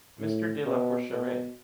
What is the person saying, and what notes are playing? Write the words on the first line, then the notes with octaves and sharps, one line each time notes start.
Mister de la Porcheraie.
A2
B2
B2